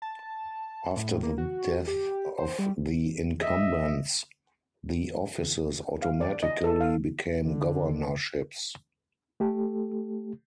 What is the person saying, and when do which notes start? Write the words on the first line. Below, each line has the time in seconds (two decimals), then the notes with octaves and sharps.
After the death of the incumbents, the offices automatically became governorships.
0.02 A5
0.97 A2
1.23 A#3
1.38 F#4
1.87 G4
2.38 C5
2.59 G3
3.41 D#5 E5
6.02 F5
6.21 D5
6.43 D#5
6.64 A4
6.81 F5
7.44 D3
9.40 A3 G4 A4